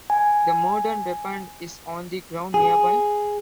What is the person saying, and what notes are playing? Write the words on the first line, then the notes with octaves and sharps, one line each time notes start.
The murder weapon is on the ground nearby.
G#5
G#4